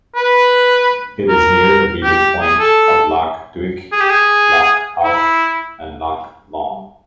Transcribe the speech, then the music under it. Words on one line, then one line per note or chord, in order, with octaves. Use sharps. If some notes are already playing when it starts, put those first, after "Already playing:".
It is near the meeting point of Loch Duich, Loch Alsh and Loch Long.
B4
A#4
G4
G#4
A4
G#4
G4
G#4
E4